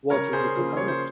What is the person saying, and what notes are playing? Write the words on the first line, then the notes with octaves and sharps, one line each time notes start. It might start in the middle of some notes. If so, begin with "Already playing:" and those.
What is it about?
C#3 G3 C#4 A#4 C#5
G#4 C5
C#3 F3 A#3 C#4
C#5
C5